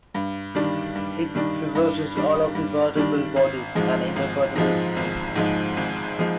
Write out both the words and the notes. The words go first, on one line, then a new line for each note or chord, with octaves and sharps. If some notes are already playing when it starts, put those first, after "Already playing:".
It traverses all of the vertebral bodies and intervertebral discs.
G2
D#3 G3 D4
G2
D#3 G3 D4
G2
D#3 G3 D4
G2
D#3 G3 D4
G#1
G#2 F3 G#3
G#1
G#2 F3 G#3
G#1
G#2 F3 G#3
G#1
F3 G#3